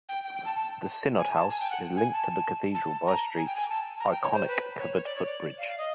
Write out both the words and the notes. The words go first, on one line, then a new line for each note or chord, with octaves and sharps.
The synod house is linked to the cathedral by Street's iconic covered footbridge.
G5
G5
G5
A5
A5
G#5
A5
G#5
G5
F#5
G#5
A5
A5
A#5
G#5
G5
G#5
A5
A#5
G5
C#5
C5
B4
C#5
C#5
D5
C#5
D5
F5
F5
D#5